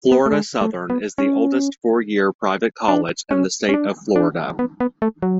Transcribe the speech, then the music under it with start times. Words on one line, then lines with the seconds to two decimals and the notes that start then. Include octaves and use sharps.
Florida Southern is the oldest four-year private college in the state of Florida.
0.12 B3
0.26 A3
0.33 G#3
0.61 A3
0.90 B3
1.18 C#4
2.88 D4
3.31 C#4
3.69 C#4
3.74 D4
4.16 D4
4.59 B3
4.80 B3
5.02 A3
5.22 F#3